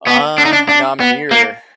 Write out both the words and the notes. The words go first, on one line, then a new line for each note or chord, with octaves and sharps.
Uh, no, I'm near
B3
D4
D#4
D4
D4
B3
A#3